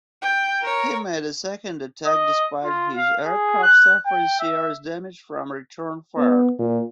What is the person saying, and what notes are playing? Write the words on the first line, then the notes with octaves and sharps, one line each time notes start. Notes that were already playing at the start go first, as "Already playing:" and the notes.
He made a second attack despite his aircraft suffering serious damage from return fire.
G5
A#4 C#5
D#5
F4
F5
G#4
F#6
G5
E5
B3
A#2